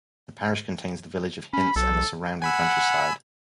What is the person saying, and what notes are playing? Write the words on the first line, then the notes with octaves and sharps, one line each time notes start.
The parish contains the village of Hints and the surrounding countryside.
C#4 B5
B1 A4
F#5 G#5 B5 E6